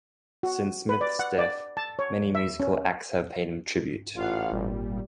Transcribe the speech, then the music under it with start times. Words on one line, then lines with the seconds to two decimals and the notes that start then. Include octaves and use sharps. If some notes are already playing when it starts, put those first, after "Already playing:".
Since Smith's death, many musical acts have paid him tribute.
0.43 F#4
0.89 B4
1.01 D5
1.19 F#5
1.38 D5
1.77 A5
1.99 C#5
2.35 E5
2.60 C#4
4.16 A1 F4 F5 F#5
4.51 G#1 A#2 G3